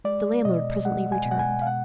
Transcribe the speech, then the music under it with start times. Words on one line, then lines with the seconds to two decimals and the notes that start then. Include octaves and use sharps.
The landlord presently returned.
0.05 G#3 D5
0.45 B2 D#5
0.85 G#3 F#5
1.12 G#5
1.25 B2
1.31 F#5
1.39 G#5
1.62 F5
1.66 B2 F#5